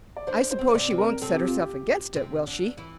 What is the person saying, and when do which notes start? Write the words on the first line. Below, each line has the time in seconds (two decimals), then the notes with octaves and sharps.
"I suppose she won't set herself against it; will she?"
0.17 D5
0.27 D3 D4 C5
0.51 C5
0.59 C4
0.67 D4 C5
0.74 C3 C4 D5
0.90 C3 C4
0.98 A#4
1.21 C3 C4 A4
1.34 G4
1.48 F4
1.60 G4
2.15 C3 C4
2.47 D3 D4
2.78 E3 E4